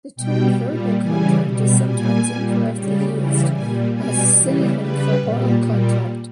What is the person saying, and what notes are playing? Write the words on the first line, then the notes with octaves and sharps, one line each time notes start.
The term "verbal contract" is sometimes incorrectly used as a synonym for oral contract.
B2 G3 G5
A#2 G3
C#3 E3 G3 G#5
B2 G3
A#2 G3 G#5
A#2 G3
C#3 G3
C#3 E3 G3
A#2 G3 G#5
B2 G3 G#5
C#3 E3 G3
C#3 G3 B4
A#2 G3
A#2 G3